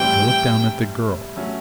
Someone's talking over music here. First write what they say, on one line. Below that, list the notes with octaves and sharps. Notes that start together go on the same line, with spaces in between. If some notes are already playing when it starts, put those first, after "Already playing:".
I looked down at the girl.
Already playing: A2 E3 G3 C4 G5
F#3 A3 C#4